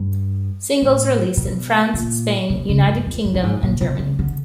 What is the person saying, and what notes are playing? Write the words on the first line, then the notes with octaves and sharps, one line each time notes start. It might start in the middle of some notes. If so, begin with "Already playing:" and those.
Singles released in France, Spain, United Kingdom and Germany.
Already playing: G2
A2
B2
A#2
B2
C#3
G2
F2
G2
A2
G#2
A#2
B2
C#3
D3